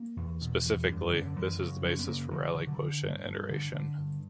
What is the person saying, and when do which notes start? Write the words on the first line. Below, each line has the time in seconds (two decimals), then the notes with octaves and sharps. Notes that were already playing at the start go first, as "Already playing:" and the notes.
Specifically, this is the basis for Rayleigh quotient iteration.
Already playing: A#3
0.17 E2
0.41 B2
0.65 E2
0.88 F#2 G3
1.11 F#2 D3
1.26 D3
1.36 F#2 E3
1.59 C#3 F#3
1.83 F#2 F#3
1.99 B3
2.07 C#3 A#3
2.31 D3 F#3
2.55 D3
2.67 D3
2.78 D3
3.03 G2
3.26 G2
3.50 D3
3.74 D3
3.98 G2